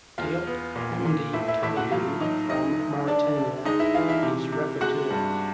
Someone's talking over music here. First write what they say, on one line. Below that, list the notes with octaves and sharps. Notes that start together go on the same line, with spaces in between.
Diop Hamdi Kalidou from Mauritania is Rapporteur.
E2 F4 F5
B3
A#2
A#2
A2 E4 E5
E4 E5
A2 E4 E5
F#4 F#5
F#3 F4 F5
F#3 D#4 D#5
D2 D#4 D#5
D2
D3 D4 D5
D3
G#3 D#4 D#5
E4 E5
E3 F4 F5
E4 E5
C3
C3
G#3 F#4 F#5
G2